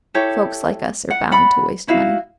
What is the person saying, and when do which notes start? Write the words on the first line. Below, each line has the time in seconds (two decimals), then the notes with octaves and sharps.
Folks like us are bound to waste money.
0.14 E4 G4 A4 C#5
1.10 F#5
1.31 D5 F#5 B5
1.87 D#4 E4 F#4 F5